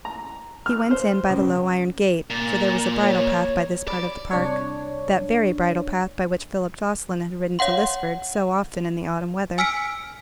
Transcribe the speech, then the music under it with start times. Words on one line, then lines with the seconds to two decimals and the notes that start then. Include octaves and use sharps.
He went in by the low iron gate, for there was a bridle-path by this part of the park--that very bridle-path by which Philip Jocelyn had ridden to Lisford so often in the autumn weather.
0.05 A#5
0.66 F6
0.91 C5
1.30 C#2
2.30 A#2 A6
3.00 C#5
3.88 D5 B5
4.31 C2 D4 C#5
7.59 C#5 F5 F#5 C6
9.58 G#5 E6 F6 B6 C#7 D7